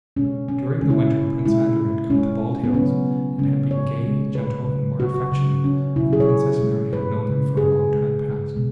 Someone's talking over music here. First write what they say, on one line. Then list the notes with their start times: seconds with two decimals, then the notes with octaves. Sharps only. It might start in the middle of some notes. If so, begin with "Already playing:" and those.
During the winter Prince Andrew had come to Bald Hills and had been gay, gentle, and more affectionate than Princess Mary had known him for a long time past.
0.17 B2 G#3 C#4
0.48 C#4
0.81 C#3 G#3 C#4
0.90 E4
0.99 C#4
1.45 B2 G#3 E4
2.10 B2 G#3 C#4
2.64 B3
2.74 C#3 F#3 C#4
3.38 C#3 G#3 C#4
3.71 C#5
4.03 B2 G#3
4.35 B4
4.68 C#3 F#3
5.00 F#4
5.32 C#3 F#3
5.64 C#4
5.96 B2 E4
6.00 F#3
6.13 G#4
6.20 C#5
6.61 B2 G#3
6.93 B4
7.25 C#3 G#3
7.57 G#4
7.90 C#3 G#3
8.54 B2 G#3